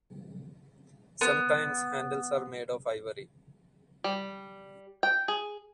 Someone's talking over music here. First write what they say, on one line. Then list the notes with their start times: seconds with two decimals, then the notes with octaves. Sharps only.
Sometimes handles are made of ivory.
1.21 B3
4.04 G3
5.03 G5
5.28 G#4